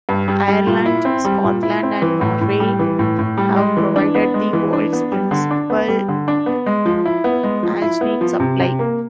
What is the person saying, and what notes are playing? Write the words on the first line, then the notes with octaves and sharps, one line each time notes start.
Ireland, Scotland and Norway have provided the world's principal alginate supply.
G2
G3
G3
A#2
E4
C4
G3
A#2
E4
C4
E3
A2
A2
G3
E3
A2
A2
G3
G#3
E3
D4
B3
G#3
E3
D4
B3
G3
D3
D4
B3
G3
D3
D4
B3
G#3
F3
E4
B3
G#3
F3
E4
B3
F3
C3
C3
A#3